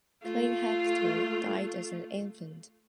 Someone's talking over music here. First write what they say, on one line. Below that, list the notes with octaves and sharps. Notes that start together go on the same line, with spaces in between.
Clay Hector died as an infant.
A3 F4